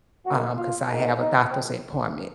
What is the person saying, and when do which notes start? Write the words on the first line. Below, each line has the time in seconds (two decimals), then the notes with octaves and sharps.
um, 'cause I have a doctor's appointment."
0.24 F#2 D#3 A#3 F#4
0.55 F4
0.87 G#2 D#3 A#3
1.19 D#4
1.50 A#1 C4